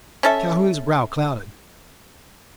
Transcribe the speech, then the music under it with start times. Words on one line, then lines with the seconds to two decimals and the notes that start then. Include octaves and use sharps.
Calhoun's brow clouded.
0.23 C#4 A4 E5